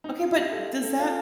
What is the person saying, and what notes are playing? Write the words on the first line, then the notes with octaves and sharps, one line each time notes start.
Okay, but does that
D#4
F4
G4
A4
A4
F4